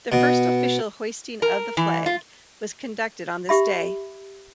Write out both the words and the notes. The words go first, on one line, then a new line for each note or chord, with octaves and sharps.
The first official hoisting of the flag was conducted on this day.
B2
A#4
E3
F4
G4 E5 B5